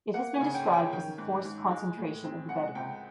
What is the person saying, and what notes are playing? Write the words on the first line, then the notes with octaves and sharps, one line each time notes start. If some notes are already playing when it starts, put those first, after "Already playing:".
It has been described as the "forced concentration of the Bedouin".
A#3 F#5
G#5
C#3
G5
C#4
G5
D#3 G5
G#2
G#2
G#3
A2
C4
G#3 F#5
C#2 G5